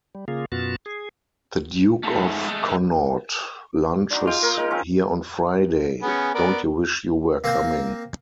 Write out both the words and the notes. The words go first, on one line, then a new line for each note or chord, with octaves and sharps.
The Duke of Connaught lunches here on Friday: don't you wish you were coming!
G3
C#3 A#3 F4 G#4
F#2 B2 B3 F4 F#4 A5
G#4
G#2 A3
G#3 A3
D4 D#4 F#4 C6
G#3 F4 G5
A#3 A#4 C#5
G#3 D#4 A#4
F3 C4 C#4
B3 C#4 G#4
B3 A#4 D5
A#3 C4 C5